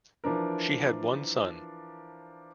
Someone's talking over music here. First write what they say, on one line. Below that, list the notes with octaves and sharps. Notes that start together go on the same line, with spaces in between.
She had one son.
E3 F3 D4 A#4